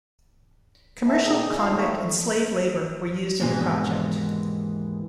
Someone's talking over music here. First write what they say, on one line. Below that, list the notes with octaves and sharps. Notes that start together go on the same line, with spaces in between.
Commercial, convict, and slave labor were used in the project.
D2 A3 B3 E5 A5
A#2 D#3 D#4 G#4
G#2 C#3 G#4 D#5
D#2 G#2 D4 F4 F5
D#3 A3 A#3 D#4 A4 C#5
F3 A3
D#2 G#2 B2 E3 G#3 D4